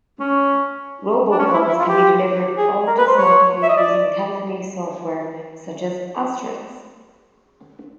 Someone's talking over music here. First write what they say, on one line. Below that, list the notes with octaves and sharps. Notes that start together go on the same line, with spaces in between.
Robocalls can be delivered autosmatically using telephony software, such as Asterisk.
C#4
D4
C#4
E4
E4
F4
G4
G#4
A#4
B4
C5
C#5
E5
D#5
D5